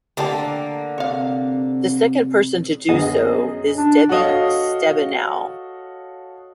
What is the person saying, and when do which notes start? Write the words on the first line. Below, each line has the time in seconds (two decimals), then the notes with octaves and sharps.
The second person to do so is Debbie Stabenow.
0.17 D3 A3 A#3 G4 A5
0.98 C3 C#5 F5
2.89 F#2 D3 B3 G#4 D#5
3.76 D4
4.09 F#4 A4 C#5 D#5 F5